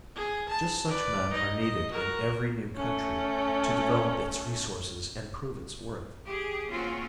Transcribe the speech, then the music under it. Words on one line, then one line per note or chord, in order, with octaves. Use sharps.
Just such men are needed in every new country to develop its resources and prove its worth.
G#4
A5
B4 D5
D#4 D#5
D#5
F#4 A#4
A3 C#4
G4 G#4
A#3 C4 C#4 F4 F#4